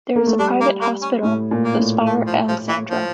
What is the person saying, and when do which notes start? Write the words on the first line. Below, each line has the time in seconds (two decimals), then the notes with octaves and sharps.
There is a private hospital, the Spire Alexandra.
0.16 A#3
0.27 A3
0.39 G3 D4
0.61 A#3
0.81 A#3
1.02 C#4
1.22 A2 C#4
1.51 A#2
1.64 A#3
1.78 A2
2.06 A3
2.27 F3
2.48 F3
2.69 E3
2.90 F3